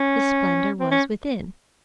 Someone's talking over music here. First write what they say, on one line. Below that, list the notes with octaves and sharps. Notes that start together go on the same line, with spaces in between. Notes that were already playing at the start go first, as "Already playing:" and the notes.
The splendor was within.
Already playing: C#4
C4
C#4